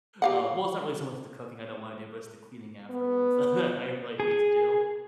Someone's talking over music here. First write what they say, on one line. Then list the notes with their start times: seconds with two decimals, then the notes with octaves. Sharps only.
uh, well, it's not really so much the cooking I don't wanna do, but it's the cleaning afterwards that I I really hate to do,
0.22 G4 F5 F#5
2.90 B3
4.20 G#4